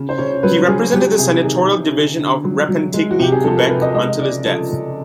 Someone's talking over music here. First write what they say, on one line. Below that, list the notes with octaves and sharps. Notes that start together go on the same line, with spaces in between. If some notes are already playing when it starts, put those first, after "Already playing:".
He represented the senatorial division of Repentigny, Quebec until his death.
Already playing: C#3
C5
C#3 C#5
F#3 B4
F#3 G#4
F#3 G4
C3 G#4
D#3 G#4
C3
D3
D3
F#3
F#3
G#3
F#4
C3 G4
G#4
F3 A4
A#4
C3 B4
D#5
G#3 D#5
C#3 D5
F3 A4
C#3